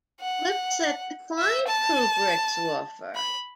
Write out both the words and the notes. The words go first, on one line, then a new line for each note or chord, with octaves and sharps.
Lipsett declined Kubrick's offer.
F#5
E5
A5
B5